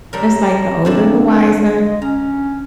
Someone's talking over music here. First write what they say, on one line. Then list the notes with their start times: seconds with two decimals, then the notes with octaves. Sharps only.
It's like the older, the wiser,
0.13 C3 G3 A#4 C#5 A5 A#5
0.85 B2 D3 F3 A3 C4 D4
1.81 G#3 D#5
2.02 C#4 A#5